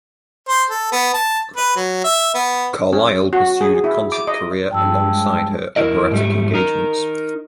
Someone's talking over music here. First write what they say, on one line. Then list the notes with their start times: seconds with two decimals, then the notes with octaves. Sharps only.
Carlyle pursued a concert career alongside her operatic engagements.
0.49 C5
0.70 A4
0.92 B3
1.14 A5
1.56 B4
1.76 F#3
2.04 E5
2.35 B3
2.93 C#4
3.33 F#4
3.61 G#4
3.84 E4
4.12 D6
4.27 D#5
4.71 G2 F3 G#3 G5 A5 E6
5.76 E2 E4 A#4 D#5
6.11 G#2 G3 A3
6.54 D#4 A#4